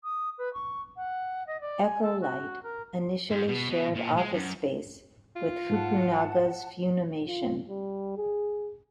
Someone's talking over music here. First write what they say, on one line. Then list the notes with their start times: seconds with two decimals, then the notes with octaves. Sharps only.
EchoLight initially shared office space with Fukunaga's Funimation.
0.04 D#6
0.38 B4
0.54 C#6
0.97 F#5
1.47 D#5
1.61 D5
1.84 G#5
2.03 A4
2.21 F#4
2.63 A#4
3.30 G#2
3.48 B2
3.69 B2
3.95 A#2
4.17 G#3
4.33 F#2
5.36 F4
5.70 G#2 F#5 A5
7.27 F4
7.69 G3
8.17 G#4